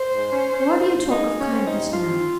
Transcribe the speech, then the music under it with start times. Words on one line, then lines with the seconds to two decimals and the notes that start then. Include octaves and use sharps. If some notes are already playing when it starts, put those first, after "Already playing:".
"Why do you talk of kindness now?"
Already playing: C5
0.12 G#2
0.32 C#4
0.52 C#4
0.72 D#3
0.91 G#2
1.11 G#3 D#4
1.32 C4
1.38 C#4
1.52 C4
1.65 D#4
1.72 G2
1.91 F3 F4
2.11 C4